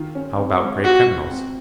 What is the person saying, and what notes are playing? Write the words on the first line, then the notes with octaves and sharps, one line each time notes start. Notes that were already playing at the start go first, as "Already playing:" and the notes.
"How about great criminals?"
Already playing: D#3 F4
C#4
C4
G#3
F4 F#4
F4
C4